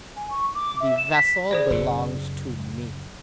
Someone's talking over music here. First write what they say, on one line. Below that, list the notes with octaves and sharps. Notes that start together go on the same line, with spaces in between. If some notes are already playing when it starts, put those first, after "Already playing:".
"The vessel belongs to me."
G#5
C#6
D6
E5
E7
B6
G#4 C5 D5
F#1 C#3